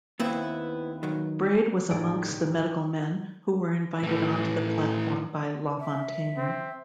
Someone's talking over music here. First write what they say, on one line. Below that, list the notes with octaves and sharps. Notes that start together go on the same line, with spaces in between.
Braid was amongst the medical men who were invited onto the platform by Lafontaine.
D#2 B3 C4 E4 B4 E5
D#3 F#3
A1 D#3 G#4 D5 A#5 D7
A2 E3
E5
C4